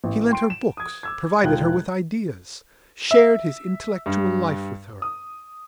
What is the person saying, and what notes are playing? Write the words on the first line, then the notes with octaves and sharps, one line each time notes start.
He lent her books, provided her with ideas, shared his intellectual life with her.
A1
G5 C6 D7
E7
D#6 G#6
D6 E6 G#6
E1 D#4 F4 D#5 G5 F#6
E5
G2
D#6